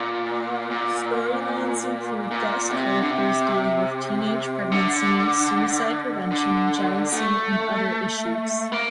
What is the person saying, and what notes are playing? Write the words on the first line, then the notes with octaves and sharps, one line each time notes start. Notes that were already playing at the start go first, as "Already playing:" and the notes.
Storylines include guest characters dealing with teenage pregnancy, suicide prevention, jealousy and other issues.
Already playing: A#2
A#2
A#2
C3
D3
C3
D3
D3
A3
A#3